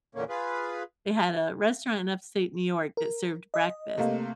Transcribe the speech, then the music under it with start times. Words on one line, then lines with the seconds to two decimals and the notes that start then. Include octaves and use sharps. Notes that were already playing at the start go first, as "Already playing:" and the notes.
They had a restaurant in Upstate New York that served breakfast,
0.15 E2 A#2 D3 A#3 C#4
0.29 F4 G#4 B4
2.97 A#4
3.54 D#5
3.98 C3 A3 A#3